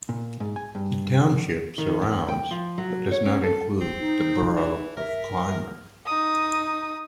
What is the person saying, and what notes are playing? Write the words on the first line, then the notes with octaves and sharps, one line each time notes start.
The township surrounds but does not include the borough of Clymer.
A#2
G#2
G#5
G2
F2
D#3
E2
G5
F3
F#3
C#5
C#4
A4
C4
D#4
E3
A#4 E5
D#4 D#6